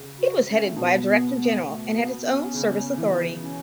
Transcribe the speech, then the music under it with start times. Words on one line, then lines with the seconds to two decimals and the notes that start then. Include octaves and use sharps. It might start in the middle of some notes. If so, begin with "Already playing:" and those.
It was headed by a Director-General and had its own service authority.
Already playing: C#3
0.18 F#4
0.47 C#4
0.67 A3
0.76 B2 B3
1.06 B3
1.35 B3
1.64 A3
1.88 A3
1.95 B3
2.24 C#4
2.54 C#3
2.98 E3
3.36 E4
3.42 C#4